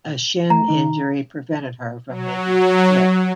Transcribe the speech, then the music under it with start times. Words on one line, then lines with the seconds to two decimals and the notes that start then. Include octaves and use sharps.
A shin injury prevented her from making the trip.
0.50 A3 A#5
0.68 D#3 D#4
2.09 F#3